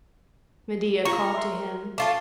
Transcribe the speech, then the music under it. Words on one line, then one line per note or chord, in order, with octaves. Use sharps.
Medea called to him.
F4 A#4 C#6
E5 C6
A3 F4 A5 D6